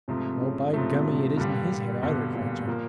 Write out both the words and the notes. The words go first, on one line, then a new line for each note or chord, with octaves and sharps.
"Well, by gummy, it isn't his head either!" cried John.
G#2 C3 F3 A3
C#3
G#2 C3 F3 A3
B2
C3
B2
G2 A#2 D3 G3
G2 B2 D3 G3
A#2
A#2 F3 A#3